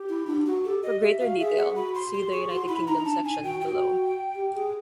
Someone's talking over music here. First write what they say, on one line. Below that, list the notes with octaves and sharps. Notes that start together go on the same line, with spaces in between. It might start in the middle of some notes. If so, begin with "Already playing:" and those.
For greater detail, see the United Kingdom section, below.
Already playing: G4
E4
D4
F#4
G4 A4
G4 D#5
G4 E5
F#4 F5
G#4 E5
F#5
F#4 B5
C6
G4 C6
G#4 C#6
F#4 C6
E4 B5
D#4 A#5
D#4
D4 A5
D#4 G#5
F#4 G5
F#4 G5
G4
G#4